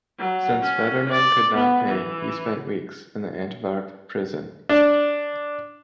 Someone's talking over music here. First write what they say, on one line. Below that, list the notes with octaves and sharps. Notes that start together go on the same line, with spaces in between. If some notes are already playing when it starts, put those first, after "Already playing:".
Since Federmann could not pay, he spent weeks in an Antwerp prison.
F#3
C#4
D5
B3
E3
D4